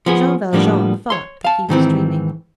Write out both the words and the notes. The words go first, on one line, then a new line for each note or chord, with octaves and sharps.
Jean Valjean thought that he was dreaming.
F3 B3 G#4
A2 F3 G3 A#3 B3 D4
C#5 C6
F5 A5
G#2 D#3 E3 C4